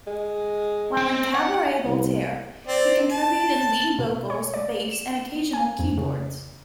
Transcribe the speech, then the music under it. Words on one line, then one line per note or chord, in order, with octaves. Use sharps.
While in Cabaret Voltaire, he contributed lead vocals, bass and occasional keyboards.
G#3
C4
F#5
C2
C4 D5
A5
B2
C#5
D5
E7
G#5
F2
C#3